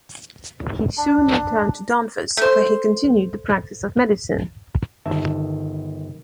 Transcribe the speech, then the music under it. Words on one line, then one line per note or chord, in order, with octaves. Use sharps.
He soon returned to Danvers, where he continued the practice of medicine.
D4
A3 C5
G1 D#3 E5 A5